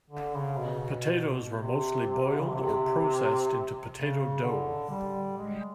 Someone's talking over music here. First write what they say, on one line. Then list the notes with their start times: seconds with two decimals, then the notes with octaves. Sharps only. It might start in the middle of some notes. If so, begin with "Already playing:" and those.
Potatoes were mostly boiled or processed into potato dough.
0.10 D3
0.35 C#3
0.58 B2
1.54 C3
2.30 D3
2.40 C#3
2.50 C3
3.94 C#3
4.42 D3
4.90 G3
5.38 G#3